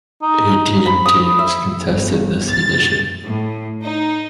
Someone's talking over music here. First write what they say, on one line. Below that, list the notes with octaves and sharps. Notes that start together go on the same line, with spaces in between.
Eighteen teams contested this edition.
D#4
B5
D#6
E5
G1
A6
A2
D#4